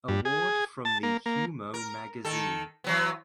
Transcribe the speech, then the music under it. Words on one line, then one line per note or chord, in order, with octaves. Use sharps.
Award from the Humo magazine.
G2
G#4
A5
A#3
A#3
A#4
D#3 A4
E3 F#3 B3